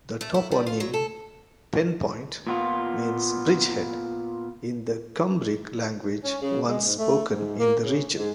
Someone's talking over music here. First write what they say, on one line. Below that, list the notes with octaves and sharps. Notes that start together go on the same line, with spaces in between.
The toponym "Penpont" means "bridge-head" in the Cumbric language once spoken in the region.
A3
E4
G3
F4
F#3
A4
A#2 B3 F4
C#4
C#3
G#3
G#2
A3
G#2
A#3
C#3
G#2